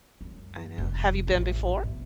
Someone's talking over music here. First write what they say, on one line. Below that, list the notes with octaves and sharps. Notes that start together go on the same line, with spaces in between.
I know. Have you been before?
F#2
F1
A1
B2